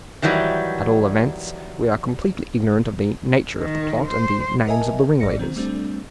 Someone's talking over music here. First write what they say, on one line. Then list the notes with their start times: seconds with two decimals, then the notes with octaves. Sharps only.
At all events, we are completely ignorant of the nature of the plot and the names of the ringleaders.
0.22 D#3 E3 F#3 G3
3.59 D#3
4.08 C5
4.67 A#4 D#5 E5 G#5 A5
5.20 G1 G#2 D5 A#6 C#7
5.39 D#3 C4
5.56 G3 A3 C4 D4